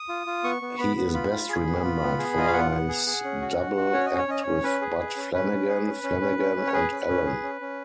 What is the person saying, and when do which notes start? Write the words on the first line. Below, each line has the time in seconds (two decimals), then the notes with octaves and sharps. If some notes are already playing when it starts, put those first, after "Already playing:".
He is best remembered for his double act with Bud Flanagan, Flanagan and Allen.
Already playing: D#6
0.09 F4
0.27 F4
0.44 B3 C#6
0.62 B3
0.78 B3 B5
0.96 B3
1.14 F4 B5
1.31 F4
1.49 G#4
1.67 B3
1.83 F4
2.02 B3
2.18 G#4
2.37 F4 D#5
2.47 F5
2.53 B3 F#5
2.71 B3
2.89 G#4
3.07 G#4
3.24 C#4
3.42 F#4
3.59 F#4
3.77 F#4
3.93 C#4 C#5
4.06 D#5
4.12 C#4
4.18 C#5
4.28 C#4 D#5
4.42 C#4 C#5
4.63 C#4 B4
4.81 G#4
4.99 G#4
5.16 C#4
5.33 C#4 B4
5.52 C#4
5.69 G#4
5.86 C#4
6.03 C#4
6.21 C#4
6.38 C#4
6.56 C#4
6.67 C#5
6.73 G#4 B4
6.92 C#4
7.08 C#4
7.26 G#4
7.43 C#4
7.61 C#4